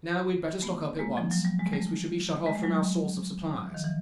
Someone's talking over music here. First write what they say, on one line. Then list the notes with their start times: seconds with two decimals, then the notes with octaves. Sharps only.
And now we’d better stock up at once, in case we should be shut off from our source of supplies.
0.62 A3 B3
0.99 G#3 A#3
1.17 F3
1.31 F#3
1.45 G3
1.59 G#3
1.73 G3 A3
2.46 G#3
2.55 A3
2.63 F#3 G#3
3.66 E3
3.74 D#3 F3
3.84 E3 F#3